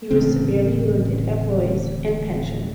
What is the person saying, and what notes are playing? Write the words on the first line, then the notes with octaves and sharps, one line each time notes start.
He was severely wounded at Blois and pensioned.
D1 A1 C#3 C4